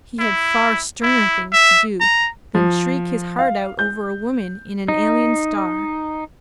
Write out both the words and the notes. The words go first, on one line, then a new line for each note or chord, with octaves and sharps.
He had far sterner things to do than shriek his heart out over a woman in an alien star.
E4
E4
E5
A#5
F3
F5
G6
D#4